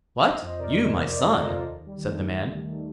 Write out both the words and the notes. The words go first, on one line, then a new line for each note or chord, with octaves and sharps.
'What, you my son!' said the man.
F3 C5 D#5
F2
C3 A#4 D5
F2
F3 C5 D#5
C5
F2 A#4 D5
C3 A4 C5
A#4
F2 F4 A4
D#2
D#2
G3
D#3
A3
D#3
D#2
D#2
D#3